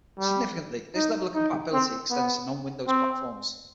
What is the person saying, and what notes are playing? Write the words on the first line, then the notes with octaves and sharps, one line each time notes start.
Significantly, this level of compatibility extends to non-Windows platforms.
G3
D#4
D#4
C4
B3
C4